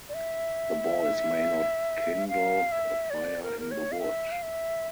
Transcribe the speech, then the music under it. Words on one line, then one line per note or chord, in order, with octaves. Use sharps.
The boys may not kindle a fire in the wood.
D5
E5
F5
E5
C#5
D5
A#4
A#4
C#5
F5
E5
F5
E5